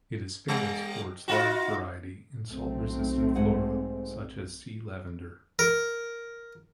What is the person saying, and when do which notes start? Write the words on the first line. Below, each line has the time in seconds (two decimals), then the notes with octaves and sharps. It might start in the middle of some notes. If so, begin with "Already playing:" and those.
It is famous for its large variety in salt-resistant flora, such as Sea lavender.
0.48 G3
1.28 D#4 F4 F#4
2.49 B1 A3 C4
3.35 G#2 G#4 F#5
5.59 A#4